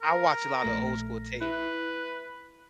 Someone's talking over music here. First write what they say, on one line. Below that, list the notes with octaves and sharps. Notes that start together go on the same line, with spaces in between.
I watch a lotta old school tape.
A#4
A#1 A3 A#6
E4 B4